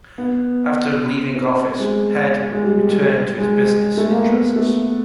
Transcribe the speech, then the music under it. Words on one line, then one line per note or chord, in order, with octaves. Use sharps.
After leaving office Head returned to his business interests.
B3
C4
C4
G#3
G#3
G3
G3
G#3
A3
A#3
B3
A3